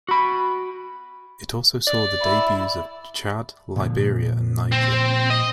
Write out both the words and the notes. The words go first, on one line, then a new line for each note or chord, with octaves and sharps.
It also saw the debuts of Chad, Liberia and Niger.
F#4 B5
D5
E4
A#2 D3 F3
C4
D#5